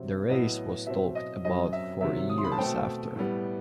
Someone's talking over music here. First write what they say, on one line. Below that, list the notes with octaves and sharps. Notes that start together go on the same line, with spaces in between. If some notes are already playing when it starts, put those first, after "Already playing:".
The race was talked about for years after.
Already playing: C3 F#3 C4
A2 F#3 B3 D#5
B2 F#3 C4 E5
D#5
F#2 F#3 C4 D#5
E5
C3 D#3 F#3 E5
D#6
C6
B5
A5
B2 A3 C4 G5
A2 G3 B3